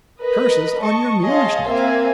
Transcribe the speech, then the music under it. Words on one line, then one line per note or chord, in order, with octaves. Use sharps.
"Curses on your mulishness!"
A#4 B4 D#5
D#5 A5 C#6
G#4 C#5 D#5 F5 A5 C6
A#3 C4 E5 F5 G#5